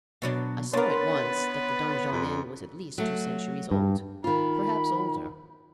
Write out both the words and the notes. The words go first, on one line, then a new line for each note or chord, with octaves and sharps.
I saw at once that the Donjon Inn was at least two centuries old--perhaps older.
B2 F#3 D4
B3 D4 A#4 B4 C#5 C6 A6
F2
F#3 A3
G2
D#3 F4 B5